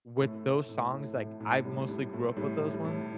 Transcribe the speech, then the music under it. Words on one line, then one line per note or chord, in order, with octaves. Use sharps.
with those songs, like, I mostly grew up with those ones
A2 A3
A2
A2
A2
A2
A2
A2 G3
A2 G3
A2 A3
A2 G3
A2
G3
A2